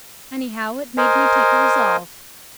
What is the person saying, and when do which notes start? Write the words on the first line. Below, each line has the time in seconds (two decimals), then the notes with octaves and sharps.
Anyhow, it made me take a resolve.
0.97 A#4 C5 D#5 G#5